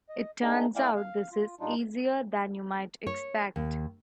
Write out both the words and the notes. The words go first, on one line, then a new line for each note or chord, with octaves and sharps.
It turns out this is easier than you might expect.
D#5
A3 A#3 C4 D4 D#4 G#4
A3 E4 D5 F5 G5 G#5
F5
F4
A#2 G3 D4 D#4 F4
C#5
D#2